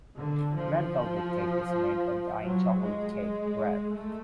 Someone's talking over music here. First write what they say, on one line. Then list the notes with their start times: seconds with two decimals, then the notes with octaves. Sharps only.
Red velvet cake is made by dyeing chocolate cake red.
0.18 D3
0.57 F3
2.42 F#3
2.80 G#3
3.18 G#3
3.92 A3